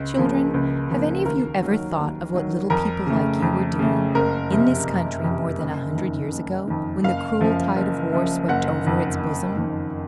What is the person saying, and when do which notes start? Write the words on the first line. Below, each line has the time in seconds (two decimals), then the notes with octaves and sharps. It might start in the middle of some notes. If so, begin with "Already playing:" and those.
Children, have any of you ever thought of what little people like you were doing in this country more than a hundred years ago, when the cruel tide of war swept over its bosom?
Already playing: C#2
0.17 C#3 F3 A#3
0.54 C#2
0.89 C#3 F3 A#3
1.25 D#2 A#4
1.63 D#3 F#3
1.98 D#2
2.34 D#3 F#3
2.70 F2 A#4
3.06 C#3 A3
3.42 F2
3.79 C#3 A3
4.15 F#1 A#4
4.51 F2 C3
4.87 F#1
5.24 F2 C3
5.60 F#1
5.95 F2 D#3
6.33 F#1
6.67 F2 D#3
7.04 F#1 F5
7.40 F#2 F3
7.76 F#1
8.12 F#2 F3
8.48 F#1 F#5
8.85 F2 D#3
9.21 F#1
9.57 F2 D#3